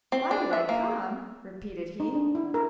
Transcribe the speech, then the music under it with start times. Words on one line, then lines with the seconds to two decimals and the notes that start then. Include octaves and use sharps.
"Why did I come?" repeated he.
0.12 C4
0.31 D4
0.53 E5
0.69 A#3
2.00 D#4
2.15 D4
2.35 E4
2.54 A#4